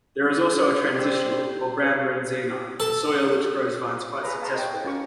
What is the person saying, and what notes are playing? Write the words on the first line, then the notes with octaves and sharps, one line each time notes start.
There is also a 'transitional', or brown rendzina, soil which grows vines quite successfully.
G4 C5 D5 E6
A4
G#4 B4 A#5
B4 F5 A5 A#5 C6 C#6
D#5 G5
C#5
C#4 F4 A#4 C#6